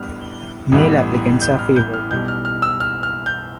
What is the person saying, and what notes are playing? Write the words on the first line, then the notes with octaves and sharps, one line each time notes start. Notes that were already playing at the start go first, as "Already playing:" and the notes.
Male applicants are favored.
Already playing: A1 A2 G3 B3 D4 F6
A1 A2 E3 G3 B3
G6
F6
G6
F6
B1 B2 G3 G6
F6
F6
E6
F6
F6
G6